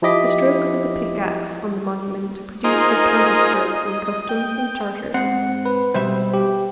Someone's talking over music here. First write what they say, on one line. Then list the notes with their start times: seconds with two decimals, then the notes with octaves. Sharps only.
The strokes of the pickaxe on the monument produce their counter-strokes on customs and charters.
0.02 F3 E4 G4 D#5 D6 B6
2.64 D#4 F4 G#4 A#4 C5 D#5
3.61 D#5
4.29 G5
5.14 G#2 C4 F#5
5.65 B4
5.94 B2 G3 C5 E5
6.34 G4